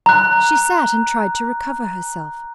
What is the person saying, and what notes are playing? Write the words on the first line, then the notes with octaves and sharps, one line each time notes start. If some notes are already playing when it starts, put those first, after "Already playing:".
She sat, and tried to recover herself.
A#5 F#6